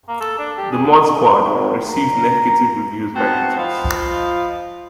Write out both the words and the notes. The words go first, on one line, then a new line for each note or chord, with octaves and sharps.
"The Mod Squad" received negative reviews by critics.
A#3
A4
D4
G4
G#4
D#5
G#1
A#5
B3 C4 F#4 F#5 A5
F3 F4 C5 D#5 B5